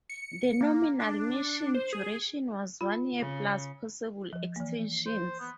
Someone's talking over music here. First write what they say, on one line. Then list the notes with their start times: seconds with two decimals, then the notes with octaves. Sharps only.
The nominal mission duration was one year plus possible extensions.
0.10 C#7
0.61 A#3
1.00 D4
1.75 C5
1.93 G#4
2.81 F4 B5
3.19 C#3
4.33 F3
4.56 E3 A#3
5.06 C5
5.40 B3